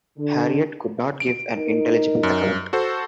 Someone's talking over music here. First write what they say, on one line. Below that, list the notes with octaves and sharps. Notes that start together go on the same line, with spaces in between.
Harriet could not give an intelligible account.
D3
D7
D#4 A#4
F#2
F#4 A4 C5